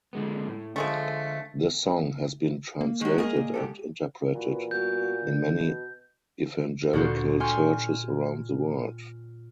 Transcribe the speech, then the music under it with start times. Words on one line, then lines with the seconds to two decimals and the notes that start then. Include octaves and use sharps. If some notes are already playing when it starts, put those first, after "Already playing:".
This song has been translated and interpreted in many evangelical churches around the world.
0.13 D3 G#3 B3
0.47 A2
0.76 D3 F3 G#3 A3
2.81 A#3
3.01 D#3 F#3 G#3
3.18 A#3 G#4 A#4 D#5
3.36 A#2
3.54 G#2 G4 A4
4.34 A#2 E3 F#4 B4
4.71 G3 B3 F#4 G6
5.23 D3
5.60 B2
6.93 D2 A#2 F#4 A4 C5
7.40 G5 G#5 C6 C#6 F6 G6